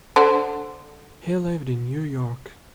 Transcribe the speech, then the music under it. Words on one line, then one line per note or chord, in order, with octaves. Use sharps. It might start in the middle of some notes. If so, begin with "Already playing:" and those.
He lived in New York.
D3 D4 C5